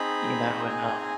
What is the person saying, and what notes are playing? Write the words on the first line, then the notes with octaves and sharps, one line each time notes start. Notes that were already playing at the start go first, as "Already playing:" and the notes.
you know, and, uh
Already playing: C4 D#4 G#4 B5
G#5